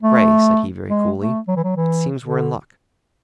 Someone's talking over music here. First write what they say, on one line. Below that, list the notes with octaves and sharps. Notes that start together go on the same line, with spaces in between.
"Grey," said he, very coolly, "it seems we're in luck."
A3
G#3
A3
F#3
E3
F#3
E3
D3